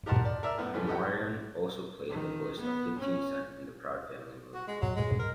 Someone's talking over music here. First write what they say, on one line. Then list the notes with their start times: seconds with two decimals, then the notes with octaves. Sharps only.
Omarion also played the voice of Fifteen Cent in The Proud Family Movie.
0.06 G4 A#4 D#5 F#5 A5 C6
0.25 D5
0.43 A#4 D5 E5
0.58 F#2 A2 B3
0.74 G2 C#3 E3 A3
0.87 G4 A4 D#5 F#5 G5
2.10 D#3
2.59 B3
2.98 C#4
4.54 F#4
4.68 G#3
4.82 F#3
4.96 G#3
5.19 A#4